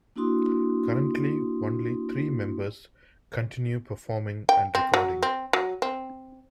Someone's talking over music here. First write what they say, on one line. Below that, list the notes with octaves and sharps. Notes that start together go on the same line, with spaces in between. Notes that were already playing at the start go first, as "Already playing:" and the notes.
Currently, only three members continue performing and recording.
A#3 D4 E4 F#4 C6 D#6
G5
C4
F#3
C4
F#3
C4